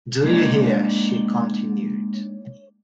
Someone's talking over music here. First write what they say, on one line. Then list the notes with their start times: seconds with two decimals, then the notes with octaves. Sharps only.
'Do you hear?’ she continued.
0.24 G#3 A#3 D4 D#4